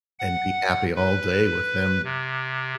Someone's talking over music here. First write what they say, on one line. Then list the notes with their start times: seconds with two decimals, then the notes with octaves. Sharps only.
and be happy all day with them
0.19 F#5
0.96 B4
2.04 C3